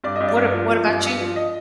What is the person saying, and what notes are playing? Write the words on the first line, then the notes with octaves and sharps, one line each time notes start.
What a what about you?
G2 D5
G2 D#5
D5
G2
F3
F3
G2
G2
F3
D#5